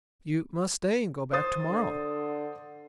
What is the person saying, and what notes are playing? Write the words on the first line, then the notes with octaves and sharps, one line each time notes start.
You must stay and go back to-morrow.
C5 D#6 A6
D3